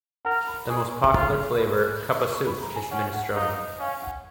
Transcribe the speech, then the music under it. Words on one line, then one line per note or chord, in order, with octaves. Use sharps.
The most popular flavour "Cup A Soup" is Minestrone.
A#4 F#5
B5
G#4 C#6
F4
B5
C#6
B5
A#5
G#5
C#4 F#5
F#5
D#4 F5
D#5
C#4 F5
F#5